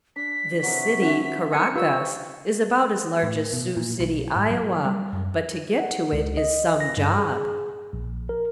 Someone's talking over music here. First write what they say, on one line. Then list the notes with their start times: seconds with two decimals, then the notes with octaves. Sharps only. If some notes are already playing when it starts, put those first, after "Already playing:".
This city, Caracas, is about as large as Sioux City, Iowa, but to get to it is some job.
0.16 D4 B6
0.63 C3 F#3 F#4
1.01 C#4 F#4 B4 E5
1.52 C4 G#5 C#7
1.76 C4 F4 G4 B4 C#5 E6
3.23 A2
3.53 B2
3.77 A#2
4.00 B1
4.35 G#2
4.51 F#3
4.85 G3
5.13 F#2
5.79 F#5
6.12 C#2
6.37 D#5
6.80 A#6
6.97 G2
7.18 G#4
7.93 A#1
8.29 A#4